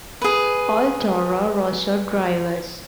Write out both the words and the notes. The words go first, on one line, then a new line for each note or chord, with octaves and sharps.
All Toro Rosso drivers.
G#4 B4